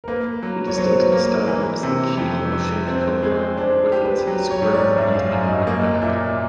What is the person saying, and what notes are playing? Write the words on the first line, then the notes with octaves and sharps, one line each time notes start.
A distinct style is the keyhole-shaped kofun, with its square front and round back.
A#4
A#3 B4
F#3
C#5
F#3 C5
B4
A#3
A#4
E3 B4
C3
F2
F2
C4
G#3
D4 C5
G4
B4
F#3
C#5
G#2
D5
F#2 E5
F5
F#2 F5
D#5
E5
A#3 D#5
D#5
A#2 E5
E5